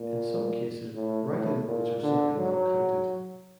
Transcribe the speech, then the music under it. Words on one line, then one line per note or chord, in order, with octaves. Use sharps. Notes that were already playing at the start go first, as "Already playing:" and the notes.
In some cases, write-in votes are simply not counted.
Already playing: A#2
A2
A2
A#2
D3
F#3